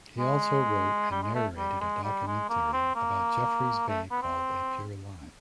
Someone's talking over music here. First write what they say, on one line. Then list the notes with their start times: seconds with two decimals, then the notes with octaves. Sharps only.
He also wrote and narrated a documentary about Jeffreys Bay called "A Pure Line".
0.19 G#3
1.11 G3
1.22 G#3
1.34 A3
1.57 G3
1.80 G#3
2.04 G3
2.27 G#3
2.49 A#3
2.73 C4
2.96 A#3
3.88 A3
4.11 B3
4.22 C4